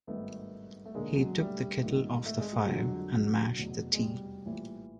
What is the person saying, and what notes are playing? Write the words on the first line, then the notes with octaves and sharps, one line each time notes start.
He took the kettle off the fire and mashed the tea.
G#1 G2 D#3 A3 B3
A3
E1 D#2 D3 G#3 A#3
F#3 G#3
G3 A3
A#1 G#2 D#3
A3
G#3
G3
G1 F2 D3 F#3 G#3
F#3
F1 E2 B2
G#3
G3
A#1 A2 E3